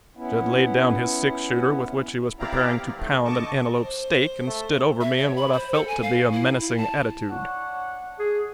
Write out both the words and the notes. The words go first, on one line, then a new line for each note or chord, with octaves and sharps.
Jud laid down his six-shooter, with which he was preparing to pound an antelope steak, and stood over me in what I felt to be a menacing attitude.
B3 C#4 E4
C4 E4 G4 D5 F5 A#5
B3
A2 D3 D#3 F3 A3
D3 D#5 A5 C#6 D6
C5
A3
E5
C#5
B5
C5
A4
G#5
F5
E4
E4
A5
D4 C#5 F#5
G#4